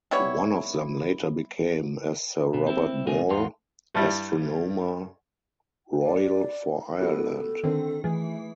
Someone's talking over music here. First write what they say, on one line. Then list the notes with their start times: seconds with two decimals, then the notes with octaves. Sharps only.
One of them later became, as Sir Robert Ball, Astronomer Royal for Ireland.
0.11 G3 B3 E4 C#5
2.54 B2
2.67 C4 E4
3.07 C2 G#3 C4 A#4 G#5
3.29 E2 F#4 F5 C6
3.95 G2 G3 E4
6.03 D5
6.99 G3 B3 F#4 A4
7.64 D3 D#3 C4
8.04 E3 A3 G#4